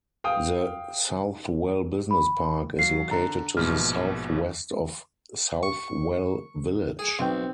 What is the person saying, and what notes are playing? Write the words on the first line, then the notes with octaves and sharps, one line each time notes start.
The Southwell Business Park is located to the south-west of Southwell village.
F5 G5 D#6
B5
F#3 F5 C7
D3 A#5
A#1 G#2 B2 F6
C#6
G#4
B1 C4 G5